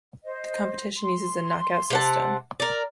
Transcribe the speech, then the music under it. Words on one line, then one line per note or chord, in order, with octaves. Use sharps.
The competition uses a knock-out system.
C5 D#5
C6
C3 F#5 A5
A#4 D5